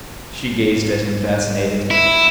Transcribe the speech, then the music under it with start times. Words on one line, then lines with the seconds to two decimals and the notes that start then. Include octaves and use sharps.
She gazed at him fascinated.
1.91 E4